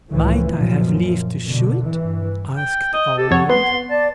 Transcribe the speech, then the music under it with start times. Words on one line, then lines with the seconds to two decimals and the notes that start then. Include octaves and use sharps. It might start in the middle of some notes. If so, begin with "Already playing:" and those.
'Might I have leave to shoe it?' asked our Lord.
0.11 C#2 A2 E3 F3
0.52 F#2 A#2 F3
1.45 B2 D3
1.87 G2 E3
2.57 G5
2.93 D#5
3.18 G4 A4
3.31 F2 C#5 F#5
3.50 B3 C6
3.90 D5 A5